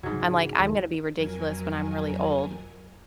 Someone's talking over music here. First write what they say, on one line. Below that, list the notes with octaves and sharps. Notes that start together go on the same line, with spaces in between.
I'm like, I'm gonna be ridiculous when I'm really old,
F#1 C2 G#2 F#3
C#3
D#2
F2 F#3 A#4 G#5 G#6